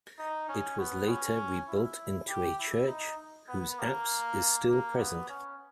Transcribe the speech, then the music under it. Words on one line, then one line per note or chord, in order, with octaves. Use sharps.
It was later rebuilt into a church, whose apse is still present.
D#4
C#4
B3
C#4
E4
G4
E4
D#4
B3
A#3
A#3
B3
C#4